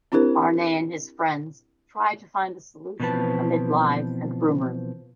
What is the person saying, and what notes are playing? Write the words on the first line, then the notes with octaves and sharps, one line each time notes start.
Arne and his friends try to find a solution amid lies and rumours.
C4 D4 E4 G4 A#4 C5
B2 E3 F3 C4 B4 A5